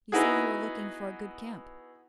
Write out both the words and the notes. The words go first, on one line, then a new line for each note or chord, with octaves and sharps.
You say you are looking for a good camp.
B3 D#4 E4 F#4 G#4